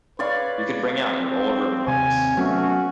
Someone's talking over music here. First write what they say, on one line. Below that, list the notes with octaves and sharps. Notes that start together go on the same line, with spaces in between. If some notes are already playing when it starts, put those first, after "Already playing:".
You can bring out your old ribbon-box.
B4 C#5 D5 F5
C4
D#2 C3 C4 G#5
F#3 A3 B3 C#4 F#4